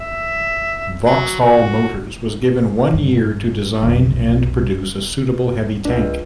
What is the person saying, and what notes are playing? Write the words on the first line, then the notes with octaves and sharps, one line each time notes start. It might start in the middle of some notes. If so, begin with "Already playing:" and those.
Vauxhall Motors was given one year to design and produce a suitable heavy tank.
E5
F#3
F#4
G2
B1 F2
C#2 D4